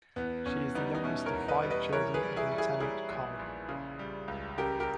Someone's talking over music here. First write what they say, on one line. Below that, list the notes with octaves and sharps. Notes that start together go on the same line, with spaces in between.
She is the youngest of five children of Lt.-Col.
E2 B3
E2 C#4
G3 B3 D#4
D#4
B2 C#4 E4
A#4 C#5
E2
B4 D#5
G3
B4 D#5
E3 A#4 C#5
G#4 B4
G3
E4 G#4
G3
E4 G#4
G3 E4 G#4
A#1
A#1
C#3
G3
C#2
C#3 G4 A#4
G4 A#4